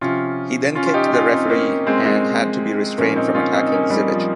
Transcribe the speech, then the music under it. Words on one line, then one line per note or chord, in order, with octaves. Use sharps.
He then kicked the referee and had to be restrained from attacking Zivic.
C3 F3 C#4 F4
C#4 F4
F4
D#4 G4
D#4
C#4 F4
C4 D#4
A#3 C#4
G#3 C4
G#3 C4
A#2 F3 A#3 C#4
C4 D#4
C#4 F4
C4 D#4
D#4
A#3 C#4
G3
F3